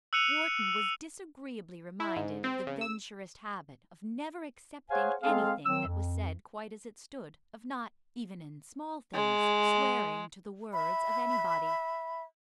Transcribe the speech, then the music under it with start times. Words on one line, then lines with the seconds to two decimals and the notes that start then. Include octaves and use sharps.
Wharton was disagreeably reminded of the Venturist habit of never accepting anything that was said quite as it stood--of not, even in small things, "swearing to the words" of anybody.
0.13 E6 F#6 C#7 D#7 F7
2.00 E4
2.16 G#2
2.44 C4
2.67 C#3
2.81 E6
4.90 G#4 C5 C#5 F5 F#5 G#5
5.23 G#3 C4 G#4 A4 F5
5.66 D#3 F#3 C4 E6
5.87 F2
9.14 G#3
10.73 E5 B5